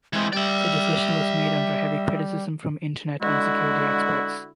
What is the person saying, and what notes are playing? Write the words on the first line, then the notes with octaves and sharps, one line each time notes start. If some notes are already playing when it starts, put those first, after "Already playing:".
The decision was made under heavy criticism from Internet and security experts.
E3 G#3 C4
G3 D5 E5
D3 G#3 E4 F#4